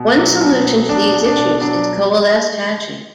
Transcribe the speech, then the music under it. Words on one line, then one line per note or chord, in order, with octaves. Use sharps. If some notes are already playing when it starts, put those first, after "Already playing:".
One solution to these issues is coalesced hashing.
Already playing: B2
F#3
B2
F#3
B2 D4
B2
D4
B2
F#3 D4